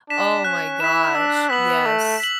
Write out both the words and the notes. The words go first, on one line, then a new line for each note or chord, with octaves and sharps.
Oh my gosh. Yes.
D4 B6 E7
C#4 F#6
E4 B6 E7
D4 E6
B3 B6 F#7
A3 E6
B6 F#7